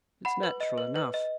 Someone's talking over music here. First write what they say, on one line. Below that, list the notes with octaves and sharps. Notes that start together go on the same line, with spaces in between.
It's natural enough.
F#5 B5
B4
D#5
B4
B4
D#5